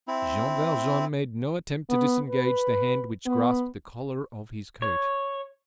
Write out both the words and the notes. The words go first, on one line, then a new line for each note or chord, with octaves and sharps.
Jean Valjean made no attempt to disengage the hand which grasped the collar of his coat.
C4 E4
B3
B4
B3
C#5